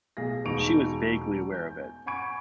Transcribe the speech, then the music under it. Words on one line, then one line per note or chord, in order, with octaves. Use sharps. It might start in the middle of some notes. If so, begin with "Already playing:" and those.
She was vaguely aware of it.
B1 G#4 F5 A#6
E1 D#4 G#4 C#6 D7 F7
G#5 G6
F#5 G#5 B5 C#6 G#6 D7